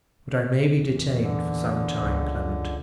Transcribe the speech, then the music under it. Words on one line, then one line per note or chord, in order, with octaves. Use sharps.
But I may be detained for some time, Clement.
E2 A#2
D3
C#2